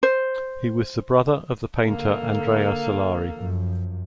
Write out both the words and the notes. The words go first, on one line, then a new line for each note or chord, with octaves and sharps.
He was the brother of the painter Andrea Solari.
C5
D3 A#3 A4
F#2 F3